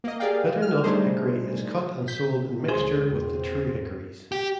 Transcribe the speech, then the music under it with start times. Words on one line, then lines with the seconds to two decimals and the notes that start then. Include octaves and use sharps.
Bitternut hickory is cut and sold in mixture with the true hickories.
0.04 A#3 D#5
0.20 G4 G#4 A#4 D5 F5 G5
0.62 F6
0.83 G3 A3 D4 D#4 G#4 C5
2.08 G6 B6
2.68 D2 C#3 G#3 G#4 C5
3.08 E2 C4
4.32 G4